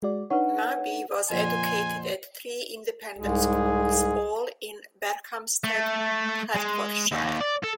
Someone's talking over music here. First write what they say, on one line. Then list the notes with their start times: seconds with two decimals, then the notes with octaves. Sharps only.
Mabey was educated at three independent schools, all in Berkhamsted, Hertfordshire.
0.03 G#3 F#4 D5
0.30 D4 D#4 B4 C#5 F#5
1.30 F2 A#2 D3 C5 G#5
3.18 C2 G#2 G#3 G#4
5.64 A3
6.55 G#3
7.12 D#2
7.41 D5
7.64 A4